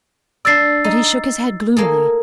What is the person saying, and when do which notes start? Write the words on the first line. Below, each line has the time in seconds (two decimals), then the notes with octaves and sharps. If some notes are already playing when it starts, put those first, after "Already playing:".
But he shook his head gloomily.
0.45 D4 D5 E6 A6 C7
0.84 D#4
1.77 A#3 G#4 A4